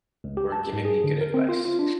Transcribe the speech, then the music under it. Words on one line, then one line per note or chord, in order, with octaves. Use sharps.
were giving me good advice,
C#2
G4
A5
G#2
G#4
D3
A#4
C4
F4
F4
D4